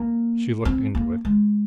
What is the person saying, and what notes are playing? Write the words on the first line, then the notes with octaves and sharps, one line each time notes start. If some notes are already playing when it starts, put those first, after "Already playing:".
She looked into it.
Already playing: A#3
C4
A#3
G#3